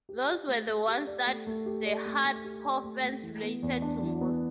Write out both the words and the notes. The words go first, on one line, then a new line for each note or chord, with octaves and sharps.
Those were the ones that the hard-core fans related to most.
G4
D5
A3
A3
G4
D5
A3
A3
G4
D5
A3
A3
G4
D5
A3
A3
E3
B3
E2
D4
E3
B3